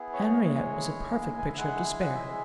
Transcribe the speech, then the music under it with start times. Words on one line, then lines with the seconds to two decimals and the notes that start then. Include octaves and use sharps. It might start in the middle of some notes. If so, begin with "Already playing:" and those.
Henriette was a perfect picture of despair.
Already playing: B3 E4 G#4
0.13 C#5
0.42 G#3 E4 G#4
1.38 G#5
1.48 E5
1.57 G#3 E4 G#4 F#5
2.01 F#5
2.15 E5